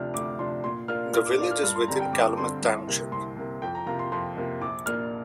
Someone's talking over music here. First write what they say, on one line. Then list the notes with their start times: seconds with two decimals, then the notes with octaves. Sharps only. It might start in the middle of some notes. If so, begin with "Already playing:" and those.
The village is within Calumet Township.
Already playing: D2 C3 F3 D4 F6
0.14 D2 D6
0.39 C3 F3 D4 C6
0.64 A#2 C6
0.88 A#3 D4 F4 F6
1.13 A#2 F6
1.25 D6
1.38 A#3 D4 F4 D6
1.51 F6
1.63 G2 F6
1.76 C6
1.88 D3 G3 C4 A#5
2.00 G5
2.13 G2 D6
2.38 D3 G3 C4 C6
2.63 C2
2.87 C3 A#3
3.12 C2 C6
3.37 C3 A#3
3.62 F2 G5
3.75 A#5
3.86 C3 A#3 F4 A#5
3.99 C6
4.12 F2 C6
4.37 C3 A#3 F4
4.61 A#1 D6
4.86 A#2 A#3 D4 F6